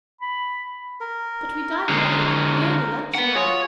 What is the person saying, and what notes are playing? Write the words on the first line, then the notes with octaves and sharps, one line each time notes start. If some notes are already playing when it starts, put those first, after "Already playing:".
But we dine late, we only lunch now.
B5
A#4
D3 G#3
B3 F#5
F4 F#4 G#4 C#5